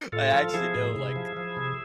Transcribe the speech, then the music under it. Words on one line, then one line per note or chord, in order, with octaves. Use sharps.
I actually know, like,
A2 F4 A4
F3
F3 E4 G#4
A2
C3
F3
F3
C3